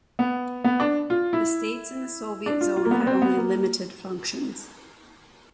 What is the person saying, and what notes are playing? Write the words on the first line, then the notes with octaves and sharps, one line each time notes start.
The states in the Soviet zone had only limited functions.
B3
B3
D4
F4
E4
D4
F4
F4
A#3
B3
B3
C4
B3
A#3